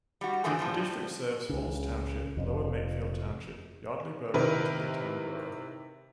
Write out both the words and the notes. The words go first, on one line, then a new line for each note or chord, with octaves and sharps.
The district serves Falls Township, Lower Makefield Township, Yardley Borough, and Tullytown Borough.
G3 F#4
G#2 D3 E3 F3 A3 G#4
F2 A2 F3 G3
C#2 C#3
F1 F2
C3 D#3 E4 A#4 B4